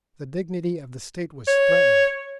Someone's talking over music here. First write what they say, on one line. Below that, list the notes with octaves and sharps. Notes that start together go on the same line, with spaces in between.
The dignity of the State was threatened.
C#5